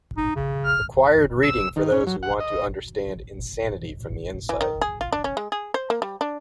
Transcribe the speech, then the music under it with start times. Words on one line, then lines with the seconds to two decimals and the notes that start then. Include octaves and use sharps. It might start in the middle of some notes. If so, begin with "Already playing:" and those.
Required reading for those who want to understand insanity from the inside.
0.17 D#4
0.36 C#3
0.64 F6
1.43 E6
1.76 D#3
1.92 C#4
2.07 F#3
2.23 F#5
2.40 D#5
4.49 E3
4.61 D#3
4.81 G#4
5.01 F4
5.12 D4
5.24 C#4
5.37 G#3
5.52 G#4
5.74 C5
5.90 A#3
6.02 G3
6.21 D4